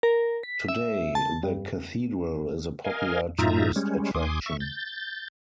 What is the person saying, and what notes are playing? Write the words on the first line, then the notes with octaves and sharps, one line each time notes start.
Today, the cathedral is a popular tourist attraction.
A#4
B6
E5
A5
G2
A#4 D#5 F5 G#5
F#2 A2 D#4 F4 E5 A#5
G3 G#3 C#4
D#2 G#5 C6 D6 D#6
E5 C#6
G6 A6